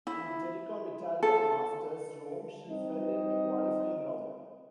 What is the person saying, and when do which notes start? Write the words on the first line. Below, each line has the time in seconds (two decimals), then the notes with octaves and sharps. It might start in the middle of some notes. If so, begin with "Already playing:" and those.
In the Telecom Italia Masters Rome she fell in the qualifying round.
0.07 E4
1.23 A4
2.69 G3 C4 D#4 D#5